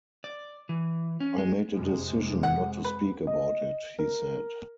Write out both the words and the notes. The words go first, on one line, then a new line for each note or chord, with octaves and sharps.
"I made a decision not to speak about it," he said.
D5
E3
C#4
G#3
F2 C3 G#3
F#5
B4
D#5
A#4